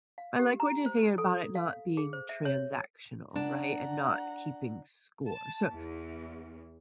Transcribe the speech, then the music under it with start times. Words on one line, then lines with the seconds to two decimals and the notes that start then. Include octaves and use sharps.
I like what you're saying about it not being transactional, right, and not keeping score. So,
0.18 F5
0.39 G4
0.60 A#5
0.86 C5
1.18 A4
1.55 F5
1.97 G#4
2.13 C5
2.29 E5
2.45 C#5
3.36 D4 F#5 A#5
5.27 A5
5.71 E2